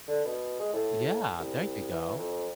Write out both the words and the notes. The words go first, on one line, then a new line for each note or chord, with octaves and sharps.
Yeah, there you go.
D3
B2
G#3
A2
C2
E3
F2